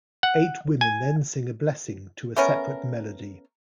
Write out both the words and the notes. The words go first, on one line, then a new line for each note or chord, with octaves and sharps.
Eight women then sing a blessing to a separate melody.
F#5
G#5
A3 B3 C#4 A#4